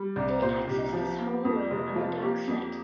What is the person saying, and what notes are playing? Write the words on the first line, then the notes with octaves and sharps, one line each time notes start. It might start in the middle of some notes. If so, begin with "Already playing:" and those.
They access this haul road on the Docks site.
Already playing: G3
C2 D5
A#2 C5
C2 G4
F3
A#3
F2
F1
F3 F4
A#3 G4
F2